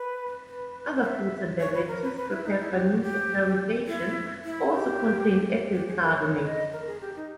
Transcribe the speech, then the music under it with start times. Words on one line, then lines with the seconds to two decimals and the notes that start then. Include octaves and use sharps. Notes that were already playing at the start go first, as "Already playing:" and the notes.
Other foods and beverages prepared by means of fermentation also contain ethyl carbamate.
Already playing: B4
0.47 B4
1.02 G5
1.06 E5
1.60 C#5
1.74 B4
1.88 A#4
2.02 B4
2.17 B4
2.31 E4
2.45 D#4
2.60 E4
2.74 G4
3.02 G4
3.87 E4
4.45 E4
4.73 G4
5.73 G4
5.87 G#4
6.02 A#4
6.16 C#5
6.44 D#5
6.72 A#4
6.87 G#4
7.01 G4
7.16 D#4